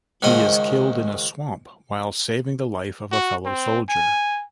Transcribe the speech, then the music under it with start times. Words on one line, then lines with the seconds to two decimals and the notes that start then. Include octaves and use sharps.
He is killed in a swamp, while saving the life of a fellow soldier.
0.22 C#2 G#2 D#3 F3 D#5
3.12 F#4
3.45 C4
3.89 G#5